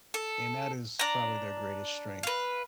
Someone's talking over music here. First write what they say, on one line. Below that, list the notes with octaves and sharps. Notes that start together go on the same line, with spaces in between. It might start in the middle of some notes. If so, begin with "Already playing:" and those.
and that is probably their greatest strength.
A4
D4 A#5
B4 F5